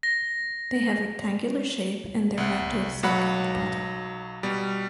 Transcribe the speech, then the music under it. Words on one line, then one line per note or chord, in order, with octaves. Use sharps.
They have rectangular shape and they’re wrapped with silk at the bottom.
A#6
C2 F#5
B1 F#3 F#5 B5
B2 G3